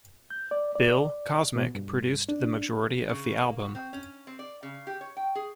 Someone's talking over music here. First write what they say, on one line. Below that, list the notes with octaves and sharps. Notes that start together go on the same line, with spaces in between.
Bill Cosmiq produced the majority of the album.
G6
D5
D5
B2
G2
D4
C#3
A#3
F#4
C4
C#4
C4
D5
C#3
G4
C#5
G5
G#4